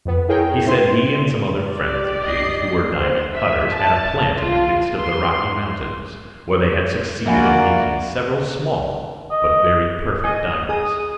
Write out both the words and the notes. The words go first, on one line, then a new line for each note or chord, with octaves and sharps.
He said he and some other friends of his, who were diamond cutters, had a plant in the midst of the Rocky Mountains, where they had succeeded in making several small, but very perfect diamonds.
F2 B3
E4 G#4 A#4 C#5 G5
G#2 C4 E4 C5 C6
G4 D5
D#5 C7
C5
E5
A5
F4
C6
A#1 A#3 F#4 D5 E5 F#5 G#5 B5
D#5
D#5 G#5
G#4 D#6